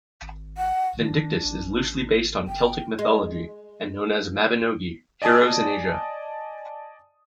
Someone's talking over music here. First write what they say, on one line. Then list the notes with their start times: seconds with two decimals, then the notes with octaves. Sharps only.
Vindictus is loosely based on Celtic mythology, and known as Mabinogi: Heroes in Asia.
0.22 G#1
0.58 F#5
0.99 D#3 D4
1.44 A1
2.48 G1 G5
2.99 G#3
5.22 D5 D#5 G#5 A5 D#6